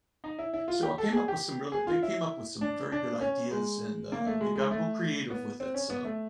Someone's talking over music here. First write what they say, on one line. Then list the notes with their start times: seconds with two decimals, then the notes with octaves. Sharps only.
so I came up with some really they came up with some very good ideas and, uh, they got real creative with it, so
0.24 D#4
0.39 E4
0.53 E4
0.68 F4
0.83 G4
0.98 A4
1.12 G#4
1.28 G4
1.72 G#4
1.87 F4
2.03 E4
2.61 D4
2.92 D4
3.21 C#4
3.51 G#3
4.12 A#3
4.27 A3
4.41 G#3
4.56 G#3
4.71 A3
5.30 B3
5.60 C4
5.74 C#4
5.90 B3
6.05 A3